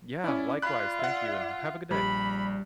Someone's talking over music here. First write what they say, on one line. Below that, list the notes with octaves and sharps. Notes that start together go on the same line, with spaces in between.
Yeah, likewise, thank you and have a good day.
C#4 E4 D5
F4 B5 F#6
E5 F#5
A#1 G3 B5